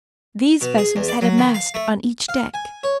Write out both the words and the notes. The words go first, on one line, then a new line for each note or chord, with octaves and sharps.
These vessels had a mast on each deck.
B2
G#4
E2
D5
F#3
D#3
F5
A3
F5
G#5
C#5